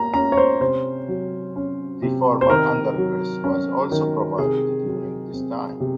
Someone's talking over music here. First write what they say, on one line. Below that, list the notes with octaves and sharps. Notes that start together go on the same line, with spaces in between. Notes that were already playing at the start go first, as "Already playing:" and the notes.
The former underpass was also provided during this time.
Already playing: A#3 A#5
C#4 A#5
C#5
C5
C3 C5
F#3
C#4
C3
C5
D#3 A#4
F#3
C#4
D#3
C3 G#4
F#3
C4
C3